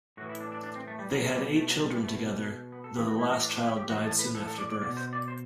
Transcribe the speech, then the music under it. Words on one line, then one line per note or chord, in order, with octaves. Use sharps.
They had eight children together, though the last child died soon after birth.
A2 E3 F#4
E4
D4
D4
D4
C4
A3
G3
B2 F#3
G3
A3
F#3
G3
G3
B2 A3
G3
B3
A4
A2 E3 G4
F#4
E4
F#4
D4
D4
E4
G4
A2 E3 F#4
A4
B4
A4
A4
D5
D5
B2 D5
C5
D5
C5